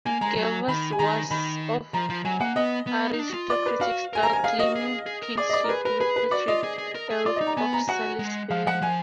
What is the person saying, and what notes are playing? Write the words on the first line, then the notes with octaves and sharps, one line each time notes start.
Gervase was of aristocratic stock, claiming kinship with Patrick, Earl of Salisbury.
A#3 G#5
G#3 A#5
F#3
D#3 B5
G#5
D#3 A#5
D#3 B5
F3 A#5
F3
F#3 G#5
A#3 F#5
B3 D#5
B3
D#4
D4
F#4
F4
D5
B4
F#4 F5
A#4 G#5
A#5
G#5
G#4 F5
F#4 D#5
G#4
G#4
A#4
G#4 D5
D#5
D5
A#4
G#4 B4
A#4 B4
G#4 B4
B4
F#4 D5
F4 D#5
G#4
G#4
A#4
G#4
F4 D5
D#4 D#5
A#5
B3 G#5
A#5
F#4 F#5
G#3
F3 F5
F3 F#5
F3 G#5